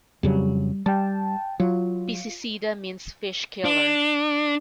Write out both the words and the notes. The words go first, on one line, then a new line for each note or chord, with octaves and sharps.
"Piscicida" means "fish-killer".
F2 C#3 F#3 G3
G3 G5 A5
F#3 F4
D4